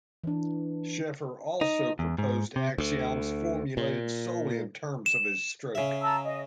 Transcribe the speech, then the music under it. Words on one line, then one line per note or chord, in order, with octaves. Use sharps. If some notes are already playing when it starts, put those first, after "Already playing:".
Sheffer also proposed axioms formulated solely in terms of his stroke.
E3 D4
D#4
E2
G#2
C3
D2
A#2
E7
C#3 E5
A5 A#5 E6
D#5